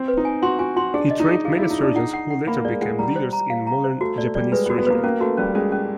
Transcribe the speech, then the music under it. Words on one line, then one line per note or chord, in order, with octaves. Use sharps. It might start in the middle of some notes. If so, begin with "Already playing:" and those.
He trained many surgeons who later became leaders in modern Japanese surgery.
Already playing: C4
B4
D#4
G#5
F#4 C6
F#4 G#5
F#4 C6
D4 G#4
D#5
D#4
G#4
F4 G#4
E4 G#4
D#4
D4 G#4
D#4 F#5
F#5
F#5
A#3 B5
G#3 D5
G#3 F#5
G3 A#5
C5
A#5
F5
A#5
C5
A3 F#4
A3 D5
G3 D5
G#3 B4
B3
F#4
B3
A#3 B4
A#3 C#4
A3 F#4
G3 C#4
G#3 C#4
C#4